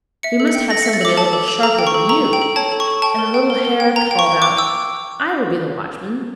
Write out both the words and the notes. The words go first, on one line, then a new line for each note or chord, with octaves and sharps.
We must have somebody a little sharper than you!' and the little hare called out, 'I will be the watchman.'
E5 C#7
A4
C#7
G5
A4 A#6
E5 C#7
A6
A4 D6
A4 A5
A4
A4
A4 A#5
G5
C#6
A4
A4 A#5
A4
G5
A4
C#5 A5
A4
C#6
A4
G5 A5
A#4
G5
A#4
A#4
G5
G5 A#5
G5
C#6
G5
G5 D6
G5 E6